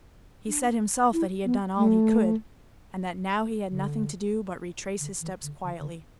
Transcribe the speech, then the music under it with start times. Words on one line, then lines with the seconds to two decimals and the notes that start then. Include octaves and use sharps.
He said himself that he had done all he could, and that now he had nothing to do but retrace his steps quietly.
0.48 D4
1.13 E4
1.45 B3
1.77 A3
3.70 D3
5.00 D3
5.21 E3
5.43 D3
5.64 D3
5.80 D3